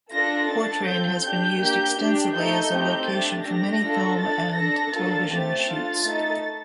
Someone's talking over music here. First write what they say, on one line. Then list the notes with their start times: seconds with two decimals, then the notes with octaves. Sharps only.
Portrane has been used extensively as a location for many film and television shoots.
0.13 D4 F4 A4 A#6
0.50 D4 A4 A6
0.87 C4 F4 A4 G6
1.24 D4 G4 G6
1.61 A#3 D4 G4 G6
1.97 D4 G4
2.35 A3 D#4 A4 G6
2.71 A3 C4 D#4 G4 G6
3.08 A3 D4 G4 A6
3.45 A3 D4 G4 A#6
3.82 D4 F4 A4
4.19 D4 A4 A6
4.55 D4 A4 A#6
4.93 A#3 D4 F4 A4 A6
5.30 A3 C4 G4
5.67 D4 F4 A4
6.03 A3 D#4 A4 A6